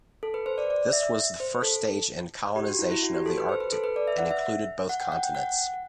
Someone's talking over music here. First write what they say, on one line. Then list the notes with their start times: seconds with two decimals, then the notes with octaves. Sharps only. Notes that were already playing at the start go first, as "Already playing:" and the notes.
This was the first stage in colonization of the Arctic and included both continents.
0.23 A4
0.34 B4
0.46 C5
0.58 D5
0.70 D5
0.93 E5
1.40 C5
1.63 A4
2.56 G4
2.68 F#4
2.79 E4
2.91 E4
3.03 F#4
3.14 G4
3.26 A4
3.37 B4
3.49 C5
3.60 B4
3.72 A4
3.84 B4
3.96 D5
4.08 E5
4.18 F#5
4.31 E5
4.89 F#5
5.00 G5
5.12 F#5
5.23 G5
5.35 F#5